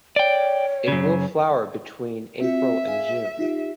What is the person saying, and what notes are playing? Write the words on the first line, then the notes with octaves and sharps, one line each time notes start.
It will flower between April and June.
C#5 D5 G5
F#2 C#3
C4 F4 F#4 E5
G#4 F5 G#5
D#4 F4 G4